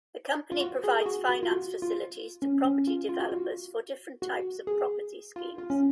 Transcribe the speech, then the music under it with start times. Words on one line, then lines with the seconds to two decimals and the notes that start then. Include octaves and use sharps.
The company provides finance facilities to property developers for different types of property schemes.
0.52 F4
0.61 F#4
0.84 G#4
1.02 G#4
1.06 F#4
1.29 F#4
1.43 F4
1.52 F#4
1.82 F4
2.42 C#4
2.65 C#4
2.87 F4
3.09 F4
3.20 F#4
3.32 F4
4.22 F#4
4.67 G#4
5.36 F4
5.58 F4
5.70 C#4